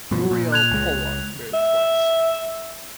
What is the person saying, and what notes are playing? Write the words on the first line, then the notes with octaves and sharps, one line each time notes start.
Muriel Pollock married twice.
G2 B2 F3
A#2
F#6 G#6 F7
C#2 G#3
E5